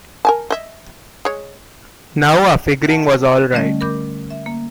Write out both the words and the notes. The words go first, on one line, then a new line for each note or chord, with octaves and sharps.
Now our figuring was all right.
A#4 G#5 A5
D#5 E5
G#3 C#5
E5 F#5 A5
D3 G3 A3 C#4 D#5
A#4 B5 D6 G6
E5
A#3